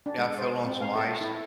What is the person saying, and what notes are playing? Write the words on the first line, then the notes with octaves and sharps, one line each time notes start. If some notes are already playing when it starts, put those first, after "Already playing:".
I fell on some ice,
D4
G#3
C5
C4
F5
A4
E4